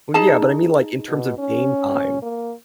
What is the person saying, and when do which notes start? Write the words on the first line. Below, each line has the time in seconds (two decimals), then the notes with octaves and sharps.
Well yeah, but I mean, like, in terms of game time,
0.14 D#4 G#4 A5
1.08 B2
1.38 C#4
2.22 A#3